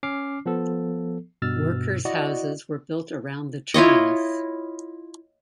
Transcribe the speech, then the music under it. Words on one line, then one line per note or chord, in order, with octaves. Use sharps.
Workers' houses were built around the terminus.
C#4 D6 F6 C7
F3 B3 A4
G2 B2 E6 F6 A6
E4 F#4 D5 D#5
E4 F4 C#5 D#5